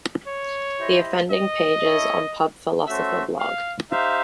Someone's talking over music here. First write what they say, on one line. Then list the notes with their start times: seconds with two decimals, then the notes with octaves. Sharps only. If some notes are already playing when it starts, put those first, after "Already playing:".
The offending pages on Pub Philosopher blog.
0.27 C#5
0.79 E4 G4 C5 D#5
1.31 D#5
1.84 E4 A4 C#5
2.87 A3 C#4 F#4 A4 C5 E5
3.39 F5
3.91 D#4 G4 C5 E5 F5